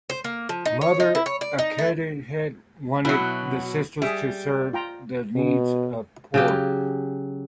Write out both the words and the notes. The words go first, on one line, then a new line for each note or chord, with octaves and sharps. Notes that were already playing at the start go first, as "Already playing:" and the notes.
Mother Aikenhead wanted the sisters to serve the needs of the poor.
C5
A#3
F3
D#4
C#5
D#4
E4
C#5
D5
D#4
A3
B2 F#3 E4 B5
G3 G#4 E5
F4 G5 A#5
B2
C#3 F#3 G4